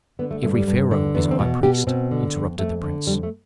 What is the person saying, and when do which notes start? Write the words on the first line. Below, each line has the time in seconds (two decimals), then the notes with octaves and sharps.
"Every pharaoh is a high priest," interrupted the prince.
0.19 D3 B3
0.31 A3
0.43 G2 A3
0.55 G3
0.67 G2
0.91 D3
1.15 E2 B3
1.31 C4
1.39 B2
1.63 B2 G4
1.87 B2 C4
2.11 D3
2.35 F2
2.59 F2 A3
2.83 D3
3.07 F2 G3
3.23 A3